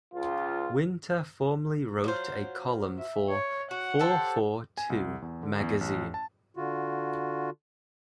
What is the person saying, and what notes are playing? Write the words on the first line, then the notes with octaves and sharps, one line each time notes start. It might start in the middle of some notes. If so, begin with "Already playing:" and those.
Winter formerly wrote a column for "Four Four Two" magazine.
C#2 F4
F#3 F4 C5
E5
C#5
F#4 F#5
G4 A4 C5
G#5
C2
E2
D3
E2
A1
A5
D3 F4 F#4